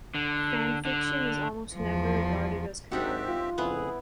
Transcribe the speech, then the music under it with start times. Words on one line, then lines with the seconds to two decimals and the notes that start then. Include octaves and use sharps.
Fan fiction is almost never regarded as canonical.
0.15 D3
0.85 D3
1.75 E2 F3
2.92 G#1 C4 D4 D#4 F#4 G4 E5
3.27 F4
3.58 F2 A2 C#3 B3 E4 G#4 B4